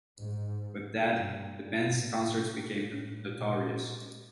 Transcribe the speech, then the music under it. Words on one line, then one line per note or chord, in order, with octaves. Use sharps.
With Dead, the band's concerts became notorious.
G#2
G2
A2
A2
A#2